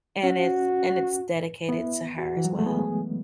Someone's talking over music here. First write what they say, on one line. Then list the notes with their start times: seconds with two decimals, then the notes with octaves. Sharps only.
and it's and it's dedicated to her as well.
0.23 C#4 F#4
1.69 B3 E4
2.18 F#4
2.37 E3
2.45 F#3
2.52 G#3
2.59 A3
2.66 B3 G#4